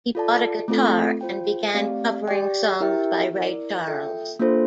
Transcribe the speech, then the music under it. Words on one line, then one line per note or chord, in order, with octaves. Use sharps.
He bought a guitar and began covering songs by Ray Charles.
F4 A4 D5 A5
A3 C4 F4 A4
F4 C5 G5
A3 C4 G4 D5 F5
G4 D5 G5
E4 G4 A#4 E5 G5
E4 A#4 D5
F4 A4 E5 G5
A#3 D4 F4 A4 C5